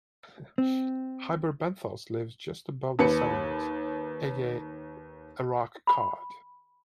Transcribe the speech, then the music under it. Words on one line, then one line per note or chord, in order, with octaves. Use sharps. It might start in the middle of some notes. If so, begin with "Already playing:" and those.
Hyperbenthos lives just above the sediment, e.g., a rock cod.
C4
D#2 B4 C#7
B5